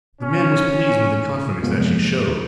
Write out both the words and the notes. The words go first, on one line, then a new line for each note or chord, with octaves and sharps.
The man was pleased with the confidence that she showed.
C#4
C3 F3 G#3 A#3 B3